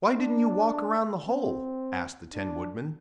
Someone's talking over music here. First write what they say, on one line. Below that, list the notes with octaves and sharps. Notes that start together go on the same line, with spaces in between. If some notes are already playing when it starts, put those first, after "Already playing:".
"Why didn't you walk around the hole?" asked the Tin Woodman.
D4
C4
D4